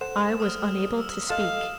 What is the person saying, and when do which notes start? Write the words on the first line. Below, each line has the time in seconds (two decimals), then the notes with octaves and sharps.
I was unable to speak.
0.01 A4 C5 F#5 E7
0.40 D#6 F6
0.98 E6
1.30 A4 D#5 F5 E7